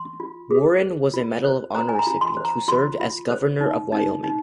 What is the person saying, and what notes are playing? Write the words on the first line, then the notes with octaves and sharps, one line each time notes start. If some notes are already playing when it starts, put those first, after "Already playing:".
Warren was a Medal of Honor recipient who served as Governor of Wyoming.
Already playing: C6
F4
G#4
C5
F4
C5
C5 A#5
G#5
A#5
F4
C6
C5
A#5
F4 C6
F4
C5
D#4
D#4
D#4